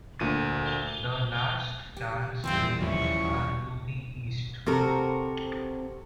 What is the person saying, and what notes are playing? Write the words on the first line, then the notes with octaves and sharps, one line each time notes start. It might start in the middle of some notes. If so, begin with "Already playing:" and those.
The Last Chance Range are to the east.
D2 A#2 D#7
G4
E2 C#3 F3 G3 C4 E4
D#2 F3 F#3 C#4 E4 C#6
C3 C4 F#4 A4 A#4